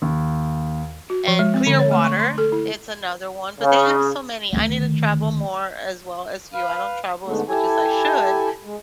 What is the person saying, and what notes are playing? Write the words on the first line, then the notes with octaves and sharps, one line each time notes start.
and Clearwater, it's another one, but they have so many. I need to travel more, as well as you, I don't travel as much as I should,
D#2
F#4
F3
G#3
C4
D3
C#5
A3
C#6
C6
A4
E4
C#3
D2 D#3
B4 F5
G#2 D3 G#3 A3 B3
E4 G4 A4 G#5
G#3